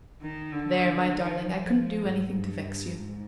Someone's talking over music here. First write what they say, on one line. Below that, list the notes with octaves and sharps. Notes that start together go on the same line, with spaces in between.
There, my darling, I couldn't do anything to vex you.
D#3
D3
D#3
F3
G#2
G2
G#2